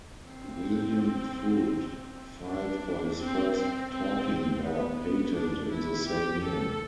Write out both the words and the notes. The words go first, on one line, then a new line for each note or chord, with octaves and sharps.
William Fuld filed for his first talking board patent in the same year.
C4
D4
C4
C4
C4
B3
B3
D4
E4
G4
A4